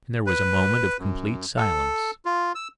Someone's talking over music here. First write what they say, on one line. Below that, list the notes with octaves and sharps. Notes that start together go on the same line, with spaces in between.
Then there was a moment of complete silence.
B4
F#2
A4
F4
E6